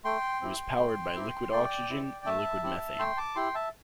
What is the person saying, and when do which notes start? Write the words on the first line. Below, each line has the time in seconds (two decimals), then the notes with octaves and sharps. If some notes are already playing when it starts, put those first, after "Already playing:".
It was powered by liquid oxygen and liquid methane.
0.04 A3 G5 C6
0.41 C4 E4 G4
0.78 A3
1.15 C4 E4 G4
1.52 A3 D5 G5
1.89 C4 E4 G4
2.25 A3 E5 A5
2.63 C4 E4 G4
2.99 A3 G5 C6
3.17 A5 D6
3.35 E4 G4 G5 C6
3.55 E5 A5